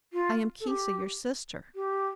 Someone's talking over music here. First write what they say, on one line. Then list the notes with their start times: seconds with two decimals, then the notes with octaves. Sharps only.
I am Kisa, your sister!'
0.13 F4
0.61 A4
0.67 G4
1.75 G4